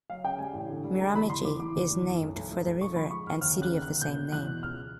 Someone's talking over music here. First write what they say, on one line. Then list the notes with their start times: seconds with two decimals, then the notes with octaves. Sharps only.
Miramichi is named for the river and city of the same name.
0.10 F#3 F5
0.24 C#3 G5
0.39 G3 G#5
0.54 A1
0.69 D3
0.84 G3
0.99 G#3 A#5
1.14 E2 B5
1.30 E2 C6
1.45 E2 D6
1.60 E3 D6
1.76 E2
1.90 E2
2.06 F#1
2.21 B1
2.36 B1
2.52 B1
2.66 B1
2.81 A#1 C#6
2.96 F3 B5
3.11 G#3 C#6
3.26 A#1 F6
3.41 D#2 F6
3.57 C#3
3.62 F#6
3.72 D#2
3.82 F#6
3.88 D#2
4.01 B2 G6
4.17 B2
4.32 E2 F#6
4.47 B2
4.63 C#2 F6